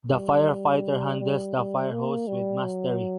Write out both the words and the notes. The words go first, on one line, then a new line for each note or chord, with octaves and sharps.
The firefighter handles the fire hose with mastery.
G3
G3
G3
A#3
G3
F#3